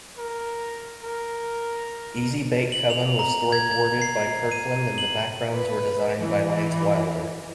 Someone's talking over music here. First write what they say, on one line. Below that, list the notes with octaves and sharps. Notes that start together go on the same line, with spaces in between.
"Easy-Bake Coven" was storyboarded by Kirkland and the backgrounds were designed by Lance Wilder.
A#4
A#4
F#7
F7
A#5
G#6
G#6
C7
D#7
F#7
B4
E3